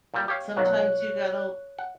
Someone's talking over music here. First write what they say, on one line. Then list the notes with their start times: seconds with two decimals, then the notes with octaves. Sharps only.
Sometimes you gotta
0.14 A#2 G3
0.28 G4 C#5 F5
0.57 B1 A#2 F#3 C#5 F#6
1.79 F#5